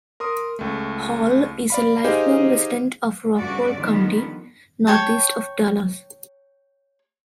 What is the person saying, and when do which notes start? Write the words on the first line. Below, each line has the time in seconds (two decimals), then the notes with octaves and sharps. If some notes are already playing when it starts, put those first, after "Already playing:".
Hall is a lifelong resident of Rockwall County, northeast of Dallas.
0.20 A#4 C6 D#6
0.59 C#2 A3
1.70 D5 F5 B5
2.04 D#4 G4 G#4 C5 D#5 F5
3.39 G2 C#3 G3 A3 F#4 D5
3.79 D3 D#3 F3 G3 B3
4.87 C#5 G5 A5